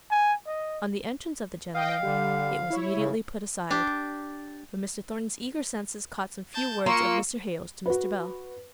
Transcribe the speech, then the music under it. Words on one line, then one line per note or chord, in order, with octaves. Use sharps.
On the entrance of the gentlemen, it was immediately put aside; but Mr. Thornton's eager senses caught some few words of Mr. Hale's to Mr. Bell.
G#5
D#5
D#5 F5 G5
D3 G3
E4 C#5
C#3
D4 G4
A5 G6
A#3 F4 A#5 C#6 E6 C#7
F#4 B4